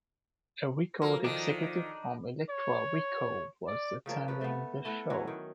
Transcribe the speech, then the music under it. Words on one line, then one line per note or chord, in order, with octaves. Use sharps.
A record executive from Elektra Records was attending the show.
F3 A#3 F#4 A4 A#4
D#3 D4 D#4
C#5
D5
C#3 F3 A#3 D4
F3 C#4 B4
A3 B3
A3 E4 F#5
E3 F#3 C#4
D#3